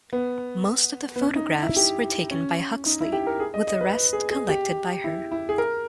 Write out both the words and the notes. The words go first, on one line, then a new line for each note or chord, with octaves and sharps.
Most of the photographs were taken by Huxley, with the rest collected by her.
B3
B3
C#4
D#4
E4
G4
C#4
D#4
E4
G4
A#4
G#4
D#5
D#5
B4
B4
G#4
G#4
G4
E4
E4
G#4
A#4